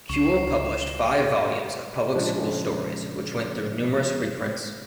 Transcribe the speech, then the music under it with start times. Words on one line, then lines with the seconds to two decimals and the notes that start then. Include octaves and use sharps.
Cule published five volumes of public school stories, which went through numerous reprints.
0.09 C#2 C#6 C7
2.15 A#2 C#3 F3 G#3 D4